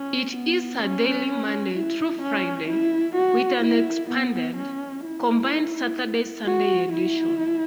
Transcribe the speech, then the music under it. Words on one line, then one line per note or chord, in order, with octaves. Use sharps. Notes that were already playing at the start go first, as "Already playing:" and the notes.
It is a daily Monday through Friday, with an expanded, combined Saturday-Sunday edition.
Already playing: C#4
B3
C#4
E4
C#4
E4
F#4
E4
B3
C#4
E4
F#4
E4